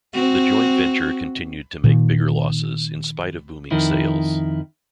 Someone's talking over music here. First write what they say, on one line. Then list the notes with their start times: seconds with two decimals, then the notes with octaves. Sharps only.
The joint venture continued to make bigger losses in spite of booming sales.
0.14 C4 F#4
1.84 A#2 D#3
3.71 F2 D#3 E4